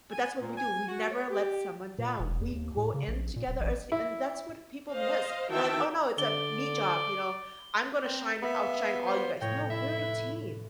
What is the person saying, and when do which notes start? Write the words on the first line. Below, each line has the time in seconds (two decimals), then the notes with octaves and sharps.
But that's what we do, we never let someone down, we go in together as and that's what people miss, they're like, "Oh, no, it's a 'me' job," you know? "I'm gonna shine outshine all you guys." No, we're a team.
0.11 G#5
0.41 A#2
0.58 G#5
0.87 F#4
1.11 C#5
1.30 G4
1.98 A#2
2.19 E1
2.41 E2
2.53 D#2
2.77 A2
2.94 C#3
3.08 A#1
3.36 A#2
3.47 D1
3.60 A1
3.92 E4
4.92 C5 D#5 F5
5.51 D#3 E3 F#4 E5 G5 A5
6.18 D3 D5 G7
8.03 C4 A#4 B4
8.43 B3 E5 F5
9.05 C5
9.41 F1 A2 C#5 G5 A#6
9.70 E4 E5
10.02 B4